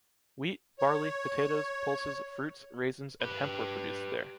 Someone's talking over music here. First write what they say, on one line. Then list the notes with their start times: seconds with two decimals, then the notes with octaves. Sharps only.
Wheat, barley, potatoes, pulses, fruits, raisins and hemp were produced there.
0.79 C#5
3.21 G4 B4